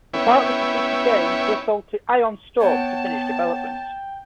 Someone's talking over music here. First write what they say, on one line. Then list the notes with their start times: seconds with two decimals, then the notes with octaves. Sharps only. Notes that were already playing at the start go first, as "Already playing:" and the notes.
The partially completed game was sold to Ion Storm to finish development.
0.14 B3 C#4 E4 C#5 E5 G5
2.61 B3 C#5 F#5 G5 A5